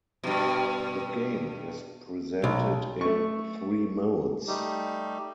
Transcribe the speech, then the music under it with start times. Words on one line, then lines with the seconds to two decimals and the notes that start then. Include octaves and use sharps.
The game is presented in three modes.
0.24 G2 B2
2.44 B1
3.01 A3 C#6
4.48 G3 A3 D#4 G4